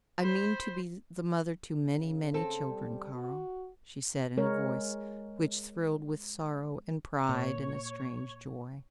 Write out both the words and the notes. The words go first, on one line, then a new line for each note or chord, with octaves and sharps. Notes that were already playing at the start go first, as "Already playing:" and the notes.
"I mean to be the mother to many, many children, Karl," she said in a voice which thrilled with sorrow and pride and a strange joy.
C5 B5
C#3
C4 A4
G3
F#4
G#3 A#4 C#5
A#2 C#5